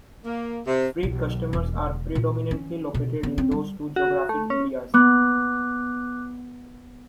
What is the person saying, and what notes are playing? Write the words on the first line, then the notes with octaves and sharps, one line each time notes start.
Freight customers are predominantly located in those two geographic areas.
A#3
C3
B1
E1
A#2
C#4
B2
B3
C4
G3
F#4
A3
C#4
B3 D6 F#6